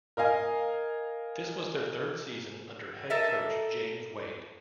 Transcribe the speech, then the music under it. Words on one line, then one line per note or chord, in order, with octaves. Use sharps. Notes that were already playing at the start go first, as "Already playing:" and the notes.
This was their third season under head coach James Wade.
A#4 D#5 F5 G#5
A4 A#4 D#5 E5